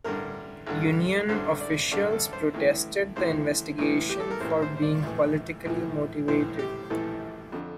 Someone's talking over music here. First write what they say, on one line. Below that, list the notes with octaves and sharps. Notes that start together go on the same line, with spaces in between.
Union officials protested the investigation for being politically motivated.
A1 G2 D3 A#4
A1 G2 D3
A1 G2 D3 C5
D5
A1 G2 D3 D5
A4
C5
A1 A2 E3
A1 A2 E3 C5
A1 A2 E3
G4
A4
A#4
A1 A2 E3 C5
C5
C5
D5
A#1 A2 E3
A#1 A2 E3
A#1 A2 E3 C5
G4
A#1 A2 E3 A4
F2 D3